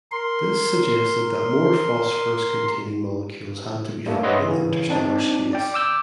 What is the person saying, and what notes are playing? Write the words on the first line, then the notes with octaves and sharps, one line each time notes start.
This suggested that more phosphorus containing molecules had to be found in interstellar space.
A#4 C6
G2 G3 A3 A#3 D4
B4 C#5 D#5 E5 F#5 C6
C#3 E3
C4 D4 D#4
D5 G5
D6 E6 G6